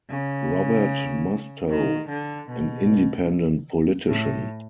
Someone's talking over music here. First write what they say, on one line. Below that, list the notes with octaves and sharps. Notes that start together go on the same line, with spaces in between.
Robert Mustow, an independent politician.
C#3
D#3
D3
B2
A2